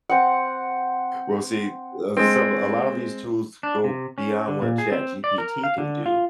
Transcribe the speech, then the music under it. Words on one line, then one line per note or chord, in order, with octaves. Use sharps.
Well, see, uh, some a lot of these tools go beyond what ChatGPT can do.
C4 F#5
G#3 C4
D4
C3
C#4
D3
A#2
G#4
C4
D5
A#4
F5
D3
F4